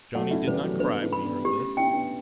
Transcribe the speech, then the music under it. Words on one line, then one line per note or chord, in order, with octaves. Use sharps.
Johnny did not cry when he heard this.
F#3 A3 F#5
C#4 E4
E3 G3 B4
F#3 A3
B3 D4 B4
C#4 E4
B5
B3 D4
A3 C#4 G4
C#4 E4 G5
C#4
B3 D4